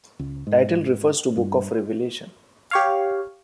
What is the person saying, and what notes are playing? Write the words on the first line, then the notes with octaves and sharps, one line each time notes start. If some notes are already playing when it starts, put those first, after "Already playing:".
Title refers to Book of Revelation.
C#2
G#2
G2
G4 C#5 F5